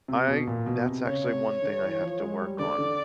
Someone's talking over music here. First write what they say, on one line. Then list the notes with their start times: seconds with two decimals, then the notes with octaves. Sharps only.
I that's actually one thing I have to work on.
0.08 C3
0.28 B2
0.47 A#2
0.66 B2
0.85 C3
1.05 C#3 C#5
1.24 C3
1.62 D3
1.82 E3
2.01 F3
2.20 G#3
2.40 G3
2.59 D3 D5
2.79 D3